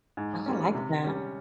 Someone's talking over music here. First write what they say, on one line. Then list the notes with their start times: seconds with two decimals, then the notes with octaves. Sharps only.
I like that.
0.17 G#2
0.46 G3 A#3 C#4
0.75 C3
1.04 G3 C#4